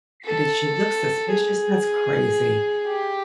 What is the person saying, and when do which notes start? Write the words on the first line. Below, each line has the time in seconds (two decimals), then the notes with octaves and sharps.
Did she look suspicious? That's crazy.
0.25 A4
1.31 G#4
2.87 G4